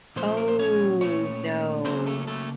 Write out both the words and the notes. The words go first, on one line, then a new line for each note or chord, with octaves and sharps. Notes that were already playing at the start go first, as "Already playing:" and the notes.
Oh, no.
A#2 F3 A3 C#4 C5
A#4
C5
C#4 C#5
A#2 F3 A3 C#4 C#5
C#3 F#3 A#3 C4 C5
A3 A4
A3 A4